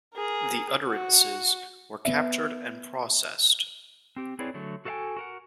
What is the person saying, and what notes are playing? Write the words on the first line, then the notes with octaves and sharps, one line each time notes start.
The utterances were captured and processed.
G#4 A#4
F#4
B3 E5
C4 G4
C4 E4 G#4 B4 C#5 D5
D3 F#3 A3
F#4 A4 B4 F5 G5 G#5
F#4 A#4 F#5